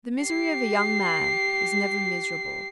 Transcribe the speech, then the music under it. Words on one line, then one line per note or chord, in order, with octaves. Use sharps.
The misery of a young man is never miserable.
G4 C7